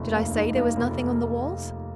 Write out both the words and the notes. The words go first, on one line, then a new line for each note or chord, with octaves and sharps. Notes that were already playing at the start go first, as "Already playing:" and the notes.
Did I say there was nothing on the walls?
Already playing: F1 D#2
A#3
D#4
A#3
F1